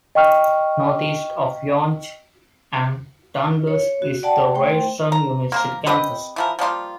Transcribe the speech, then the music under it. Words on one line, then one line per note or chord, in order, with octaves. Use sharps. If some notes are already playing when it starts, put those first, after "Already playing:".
Northeast of Yonge and Dundas is the Ryerson University campus.
D#5 G5 C#6 F6
C#5
F#4
D5 F#5 G5 A5
A3 C5 G5 C6
A#5
A#3 C4 A#4
C4 G4 B4 D#5
E3 F3 A#4
F3 G3 A#3 F4